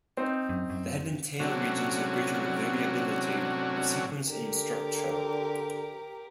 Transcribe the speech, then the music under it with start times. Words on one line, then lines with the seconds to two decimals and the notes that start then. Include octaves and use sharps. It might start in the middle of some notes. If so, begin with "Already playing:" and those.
The head and tail regions have greater variability of sequence and structure.
0.17 C4 D#4
0.49 F#2
0.70 F#2
1.40 A2 C3 F#3 C#4 D4 F#4
4.28 D3 G4 A#4